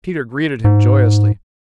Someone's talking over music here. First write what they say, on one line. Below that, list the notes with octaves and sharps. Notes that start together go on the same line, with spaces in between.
Peter greeted him joyously.
G#2